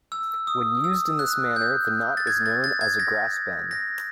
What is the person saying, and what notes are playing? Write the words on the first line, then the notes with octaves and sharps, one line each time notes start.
When used in this manner, the knot is known as a grass bend.
E6
D#6
E6
F#6
G6
A6
G#6
A6
A6
G#6
A#6
A#6